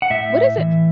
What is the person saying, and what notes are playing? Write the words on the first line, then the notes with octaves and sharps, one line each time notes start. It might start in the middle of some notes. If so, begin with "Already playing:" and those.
What is it
F#5
A2 E5
E3